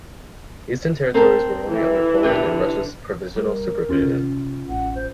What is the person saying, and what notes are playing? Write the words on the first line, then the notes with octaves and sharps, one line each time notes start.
Eastern territories were only under Poland and Russia’s provisional supervision.
C4 A4 A#4
E3 E4
D3 G4 B4
G3 A#4
E2 C#4 F4
C3
A1 F#5
C5